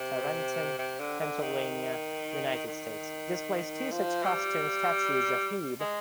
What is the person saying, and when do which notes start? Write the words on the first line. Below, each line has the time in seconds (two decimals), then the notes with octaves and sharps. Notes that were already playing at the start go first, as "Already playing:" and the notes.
Tarentum, Pennsylvania, United States displays two such cast stone statues of Hebe.
Already playing: C3
0.78 C3
1.00 D3
1.21 D3
1.42 D#3
2.67 D#3
3.92 F3
4.24 G3
5.80 G#3